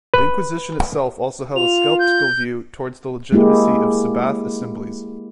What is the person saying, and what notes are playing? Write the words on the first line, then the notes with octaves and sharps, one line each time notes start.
The Inquisition itself also held a skeptical view toward the legitimacy of Sabbath Assemblies.
B4
F4 F7
G6
G#3 A#3 E4 G4